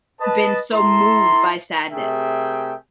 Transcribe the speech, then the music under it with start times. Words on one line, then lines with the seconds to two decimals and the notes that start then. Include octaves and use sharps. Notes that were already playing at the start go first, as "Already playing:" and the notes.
been so moved by sadness.
0.20 B4 D#5 A5
0.72 E4 A4 A#5 C6
1.91 C3 A3 G#4 A#4 E5 G5